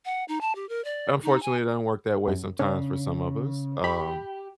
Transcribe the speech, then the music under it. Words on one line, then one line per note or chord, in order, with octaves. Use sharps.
unfortunately, it doesn't work that way sometimes for some of us, um,
F#5
D#4
A5
G4
A#4
D5
D#4
G#5
F#2
C#3 C#4 D4
G4 B5